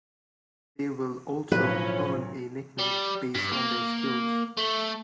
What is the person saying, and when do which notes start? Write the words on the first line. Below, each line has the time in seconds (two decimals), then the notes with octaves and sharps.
They will also earn a nickname based on their skills.
1.52 B1 A2 D3 F3 F#3 C#4 B4
2.79 G3
3.34 G2
3.52 A#3
4.57 A3